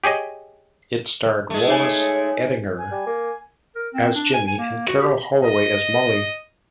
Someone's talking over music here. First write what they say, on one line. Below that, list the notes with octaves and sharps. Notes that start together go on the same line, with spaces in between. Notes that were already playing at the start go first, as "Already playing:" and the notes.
It starred Wallace Eddinger as Jimmy and Carol Holloway as Molly.
G4 G#4 C#5 D#5
G#3 A3
D#4 C#5 G#5
G#5
G3
A#3
A#4
C4
D4
G#5
G#5
A#3
F#4
G4
D#5